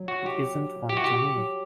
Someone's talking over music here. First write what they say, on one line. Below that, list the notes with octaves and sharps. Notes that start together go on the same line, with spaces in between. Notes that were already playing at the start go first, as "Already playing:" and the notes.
It isn’t one to me.
Already playing: F#3
F#4
G4
G4
F#4
G4
F#3